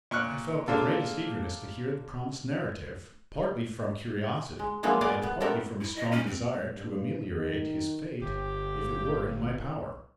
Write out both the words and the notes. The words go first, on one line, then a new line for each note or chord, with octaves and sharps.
I felt the greatest eagerness to hear the promised narrative, partly from curiosity and partly from a strong desire to ameliorate his fate if it were in my power.
A#2 C#6 F6 F#6
G#3 A#3 D4 F4 A4
G#3
F3 F#3 G#3 A#3 B3 E4
B3 G#4 A#4 D5 D#5 F5
B3
A3 B3 C4 A4 A#4
E4
D#5
C#4
C4
G2
D#3
G1 G4